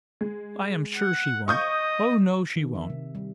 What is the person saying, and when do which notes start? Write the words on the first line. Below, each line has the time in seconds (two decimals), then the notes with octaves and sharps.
I am sure she won't. Oh, no, she won't.
0.21 G#3
0.96 F#5
1.48 D#5 C#6 D#6 G6
2.56 D#3
2.75 E5
2.90 C3
3.15 G3